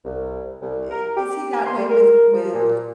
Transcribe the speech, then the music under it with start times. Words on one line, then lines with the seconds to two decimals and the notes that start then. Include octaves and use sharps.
i is he that way with with
0.05 C2
0.61 C2
0.90 A#4
1.16 G4
1.53 G#5
1.66 C6
1.77 G3
1.89 A#4
2.33 F3
2.53 A#2